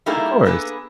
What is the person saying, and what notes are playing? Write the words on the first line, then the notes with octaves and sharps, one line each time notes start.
Of course.
G3 A3 A#3 D#4 E4 G#4
A#3 B3 D4 G#4 A4 B4